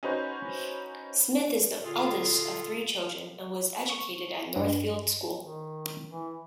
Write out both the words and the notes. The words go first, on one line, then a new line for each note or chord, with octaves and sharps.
Smith is the eldest of three children, and was educated at Northfield School.
C#4 D#4 F#4 B4 C5
A#2 D3 F4 G#4 A4
C#6
G2
D#3
E3